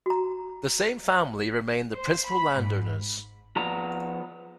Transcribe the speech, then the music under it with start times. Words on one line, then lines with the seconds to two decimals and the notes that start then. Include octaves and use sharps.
The same family remain the principal landowners.
0.06 F#4 A#5
1.94 C5
2.29 B5
2.62 G#2
3.56 F3 B3 A#5